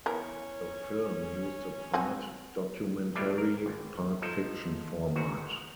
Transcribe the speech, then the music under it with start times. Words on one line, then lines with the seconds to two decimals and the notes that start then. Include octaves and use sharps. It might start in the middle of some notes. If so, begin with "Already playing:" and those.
The film used a part-documentary, part-fiction format.
0.06 E3 B3 C#4 A#4
1.93 C4 F#4 G#5
3.15 C#2 A2 E3 G3 D4 G4
3.38 A#4
3.66 G#1
4.22 F3 D#4 A4
5.16 G#2 D#3 F#4